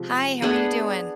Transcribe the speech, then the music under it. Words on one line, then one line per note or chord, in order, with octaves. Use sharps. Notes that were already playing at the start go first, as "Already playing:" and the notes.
Hi, how are you doing?
Already playing: C3 F3 G#3
B3 D4 G#4